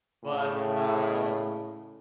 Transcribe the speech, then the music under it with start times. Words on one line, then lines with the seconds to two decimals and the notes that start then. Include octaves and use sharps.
But, um,
0.24 A2 C#3